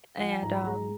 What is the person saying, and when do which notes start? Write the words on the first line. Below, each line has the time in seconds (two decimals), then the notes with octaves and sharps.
and, um,
0.19 F3 F#5
0.32 G#5
0.42 G#2 A#5
0.54 B5
0.66 G#3 A#5